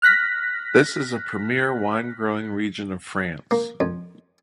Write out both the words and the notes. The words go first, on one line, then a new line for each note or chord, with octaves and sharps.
This is a premier wine-growing region of France.
F6 F#6 A#6 B6
A#3
F2